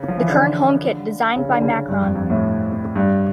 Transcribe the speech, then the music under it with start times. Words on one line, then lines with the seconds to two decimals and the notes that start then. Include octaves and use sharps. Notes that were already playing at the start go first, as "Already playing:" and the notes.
The current home kit designed by Macron.
Already playing: C#3
0.08 F3
0.18 E3
0.29 D3
1.36 C#3
1.49 D3
1.62 C#3
1.88 G2
2.02 F2
2.15 F2
2.30 A2
2.96 G2